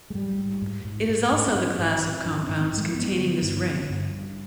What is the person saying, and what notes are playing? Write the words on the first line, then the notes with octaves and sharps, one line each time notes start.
It is also the class of compounds containing this ring.
G#3
G#2 G3
G#2
G#2
G#2
G#2
G#2
D4
G#2 C4
G#2
G#2
G#2 D4
C4
G#2
C4
G#2
G#3
G2 B3
C4
B3
D3
G2
D3
G2
G2